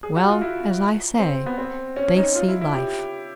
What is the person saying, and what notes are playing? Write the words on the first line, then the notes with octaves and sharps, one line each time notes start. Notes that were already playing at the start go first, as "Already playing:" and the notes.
Well, as I say, they see life.
G#4
F#4
F4
E4
C4
B3
C4
C#4
D#4
F4
E4
E4
G4